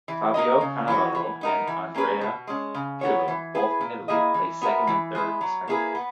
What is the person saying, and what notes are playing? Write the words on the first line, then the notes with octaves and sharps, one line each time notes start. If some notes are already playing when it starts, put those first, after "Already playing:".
Fabio Cannavaro and Andrea Pirlo, both from Italy, placed second and third respectively.
E3
A#3 D#4 A#4 D#5
C#3
E3 B3 F#4
E3
B3 D#4 A#4
E3
A#3 C#4 G#4 B4
B2
G#3 C#4
C#3
F#3 B3 F#4 C#5
E3
B3 E4 G#4 B4
A#2
A#3 E4 G#4 D#5
E3
B3 F#4 A#4 E5
E3
G#3 B3 E4
F#3
A#3 E4 G#4 B4
B3